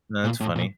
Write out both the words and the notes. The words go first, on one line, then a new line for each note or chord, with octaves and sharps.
That's funny.
A#2
A2
A#2